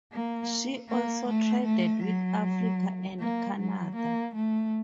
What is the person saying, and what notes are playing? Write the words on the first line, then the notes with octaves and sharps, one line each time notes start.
She also traded with Africa and Canada.
A#3
A#3
A3
A3
F#3
A#3
F#3
A#3
A3